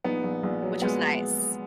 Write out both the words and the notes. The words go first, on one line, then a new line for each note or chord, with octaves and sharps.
which was nice.
A#1 B3 D#4
A#1
A#1
F#3
A#1 G#3 B3